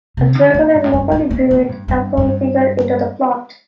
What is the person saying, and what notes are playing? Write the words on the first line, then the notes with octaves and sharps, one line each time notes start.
A dragon and locally brewed alcohol figure into the plot.
C3
D3
A#2
G2
A2
G2
A2
A#2
A#2
G2
G2
G2